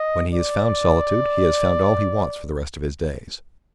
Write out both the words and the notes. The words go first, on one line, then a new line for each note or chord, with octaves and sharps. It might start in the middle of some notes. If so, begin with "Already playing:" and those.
When he has found solitude, he has found all he wants for the rest of his days.
Already playing: D#5
D5